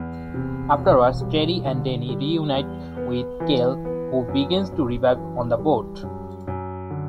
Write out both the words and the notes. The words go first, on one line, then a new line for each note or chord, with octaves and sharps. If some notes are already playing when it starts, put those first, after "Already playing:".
Afterwards, Terri and Danny reunite with Cale, who begins to revive on the boat.
Already playing: E2
C3
E1
G3
D3
G3
E2
B3
E3
B3
F#2
F#2
E3
G3
F#2
F#2
D3